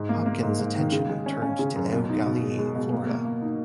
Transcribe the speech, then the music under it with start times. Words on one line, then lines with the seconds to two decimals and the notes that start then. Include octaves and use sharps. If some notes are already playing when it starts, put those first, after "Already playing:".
Hopkins' attention turned to Eau Gallie, Florida.
Already playing: G#2
0.09 A#3
0.26 A#3
0.43 G#2
0.59 G#2
0.76 D#3
0.92 C#3
1.09 G#3
1.26 C#4
1.42 C#4
1.59 C#3
1.76 F#2
1.93 B2
2.10 D#4
2.26 B2
2.42 G#3
2.59 G#3
2.75 B2
2.93 A#3
3.09 A#3
3.25 A#3
3.41 D#4